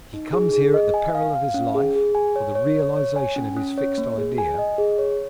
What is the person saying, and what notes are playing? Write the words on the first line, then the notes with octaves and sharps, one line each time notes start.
He comes here at the peril of his life, for the realization of his fixed idea.
D#4
G#4
G#4
D#5
G#5
F5
F5
C#4
G#4
G#4
G#5
C#5
C#5
C#5
C#5
G#5
C#4
C#4
C#5
A#3
G#4
G#5
D#5
G#4
C#5